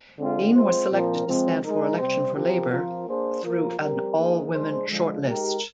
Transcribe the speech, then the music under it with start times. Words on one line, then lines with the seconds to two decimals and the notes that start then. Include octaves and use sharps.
Dean was selected to stand for election for Labour through an all-women shortlist.
0.17 D3 G#3 C4 F4
0.54 G#3 C4 F4 C5
0.90 A#2 F3 C4 F4 A#4
1.27 F3 G#3 C4
1.62 G#3 D#4 A#4
1.99 C3 G3 C4 G4 C5
2.35 F3 C4 G4 A#4
2.71 F3 C4 F4 A#4
3.07 A#3 D4 G#4 C5
3.44 F3 A#3 F4 A#4
3.80 G3 C4 G4 A#4
4.16 A#3 D#4 G#4 C5
4.52 G#3 D4 G#4 C5
4.88 D3 F3 G#3
5.25 G#3 D#4 G4 A#4